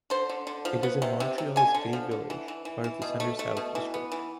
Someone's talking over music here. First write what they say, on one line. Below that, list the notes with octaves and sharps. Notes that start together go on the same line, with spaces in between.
It is in Montreal's Gay Village, part of the Centre-South district.
D3 C5
D3
D3
F3
B3
C3
C3
C3
D3 G#5
D3
F3
D3
E3
E3
E3
E3
B2
A3
A3
B2
E3
B3
E3